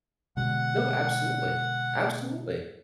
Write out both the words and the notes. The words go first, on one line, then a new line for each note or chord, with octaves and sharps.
No, absolutely. Absolutely.
B2 D3 G#3 F#5